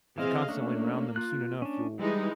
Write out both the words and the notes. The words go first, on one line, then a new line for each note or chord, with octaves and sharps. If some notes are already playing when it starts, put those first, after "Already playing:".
if you're constantly around them, soon enough you'll
E3 C4 G#4 D#5 F5
A3 A#3 C#4 D4
F4 F#6
C#4 D4
E3 G3 G#3 D#4